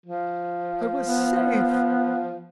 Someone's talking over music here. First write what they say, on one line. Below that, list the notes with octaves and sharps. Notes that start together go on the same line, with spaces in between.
I was safe.
F3
B3